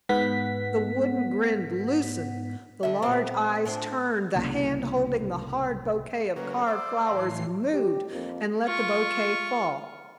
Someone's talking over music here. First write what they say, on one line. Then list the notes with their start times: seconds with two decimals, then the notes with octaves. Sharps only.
The wooden grin loosened, the large eyes turned, the hand holding the hard bouquet of carved flowers moved, and let the bouquet fall.
0.09 G#2 B3 F#5 B6
2.83 D3 E5
3.02 A#2 C4
3.65 A2 D4 C5
4.35 D1 C2 C#3 A#3
6.36 C#3 F#3 A#3 B4
6.66 C5 D5 E6
7.07 A2 E3 F5 A5 C6 C7
7.73 G4
8.11 F2 A#3
8.65 F4 C#6